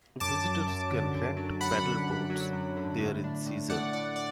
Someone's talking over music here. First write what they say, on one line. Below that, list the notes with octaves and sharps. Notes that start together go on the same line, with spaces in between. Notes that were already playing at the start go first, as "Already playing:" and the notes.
Visitors can rent pedal boats there in season.
F#2 A5 D6
F#3
F#2
D3
F#2
F#3
F#2 F#5 B5
D3
F#2
F#3
F#2
D3
A2
D4
A2
A3 D5 F#5
A2 D5
D5